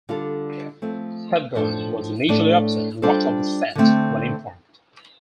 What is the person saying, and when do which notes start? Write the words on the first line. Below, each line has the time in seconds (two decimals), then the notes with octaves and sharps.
Hepburn was initially upset and walked off the set when informed.
0.09 D3 G3 F4 A4
0.82 F3 A3 C4
1.55 A2 F3 D4 A4 C5
2.29 A2 A3 D4 A4 D5
3.02 G3 D4 F4 A4 C5
3.75 D3 A3 C4